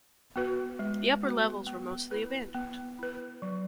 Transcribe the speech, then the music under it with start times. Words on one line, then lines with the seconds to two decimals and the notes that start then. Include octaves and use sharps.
The upper levels were mostly abandoned.
0.36 B3 F#4 B4
0.79 G#3
1.23 B3 F#4 B4
1.67 B3
2.11 E4 B4
2.55 B3
2.99 E4 B4
3.42 F#3